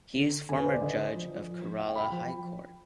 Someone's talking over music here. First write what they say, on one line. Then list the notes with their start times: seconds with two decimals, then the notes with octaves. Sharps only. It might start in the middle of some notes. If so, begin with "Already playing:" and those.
He is former Judge of Kerala High Court.
0.16 D3
0.49 D3 G#5
0.57 B4
0.66 C5
0.74 D5
0.82 D3 D#5
1.14 F3
1.79 F5
1.88 G5
1.96 B5
2.04 G5
2.12 F3